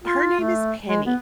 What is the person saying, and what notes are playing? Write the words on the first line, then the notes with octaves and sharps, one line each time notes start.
Her name is Penny.
F4
A3
G#3
B3